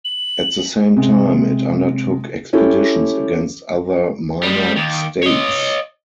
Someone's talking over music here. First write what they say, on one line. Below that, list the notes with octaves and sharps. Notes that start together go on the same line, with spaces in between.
At the same time, it undertook expeditions against other minor states.
F#7
C3 G#3
C#4 E4 G4 A4
G3 G#3
D#2
C#5 D#5